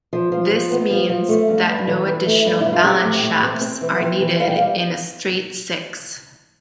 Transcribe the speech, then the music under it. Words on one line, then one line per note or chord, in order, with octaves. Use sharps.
This means that no additional balance shafts are needed in a straight-six.
F3
F3
F3
B3
F3
F3
A3
G2
G2
E3
E3
A3
G2
G2 E4
F4
C4 G4
A2
A2
C4
C4
E3
C4
E3
G3 F5
G5
F5
G3